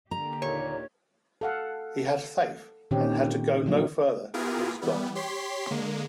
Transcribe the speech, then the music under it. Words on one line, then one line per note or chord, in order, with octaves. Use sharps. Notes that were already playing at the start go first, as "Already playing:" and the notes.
He had faith and had to go no further to please God.
D3 A#3 G4 A#5
D#2 A#2 C#5
A4 F5 F#5
A#2 D3 D#3 C4 C#4 G4
D3 F3 F#3 A#3 D#4
B3 E4 F4 G4 G#4 A#4
E3 G3 B3
G4 C#5 C6 B6
D3 G#3 A#3